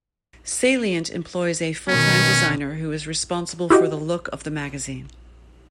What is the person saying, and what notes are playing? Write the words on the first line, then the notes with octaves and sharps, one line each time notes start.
"Salient" employs a full-time designer who is responsible for the look of the magazine.
B2 D#3 C#4
E4 F#4 G4 D#5